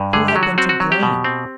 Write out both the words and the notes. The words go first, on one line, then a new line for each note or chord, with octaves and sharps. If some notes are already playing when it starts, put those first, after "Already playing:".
Who had been to blame?
Already playing: G2
D3 G#4
G4
F#3
F#4
C4 F#4
F#4
F#3
G4
B2
C4